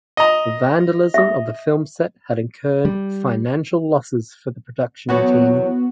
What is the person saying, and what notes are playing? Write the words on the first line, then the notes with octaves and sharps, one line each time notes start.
The vandalism of the film set had incurred financial losses for the production team.
D#5 A#5
E5 D#6
G3
E2 F#3 B3 F#4